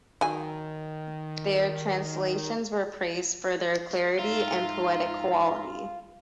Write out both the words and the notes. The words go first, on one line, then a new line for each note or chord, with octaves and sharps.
Their translations were praised for their clarity and poetic quality.
D#3 F#3 G#5
G#2 F4 E5 A#5